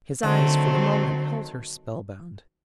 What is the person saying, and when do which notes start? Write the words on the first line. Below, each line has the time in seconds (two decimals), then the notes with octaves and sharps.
His eyes for the moment held her spellbound.
0.23 D3 D#3 F#3 A3 C4